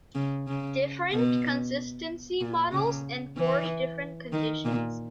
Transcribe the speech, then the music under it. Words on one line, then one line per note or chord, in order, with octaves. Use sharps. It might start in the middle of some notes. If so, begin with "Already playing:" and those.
Different consistency models enforce different conditions.
C#3
C#3
B2
A#2
C#3
E3
D#3
A#2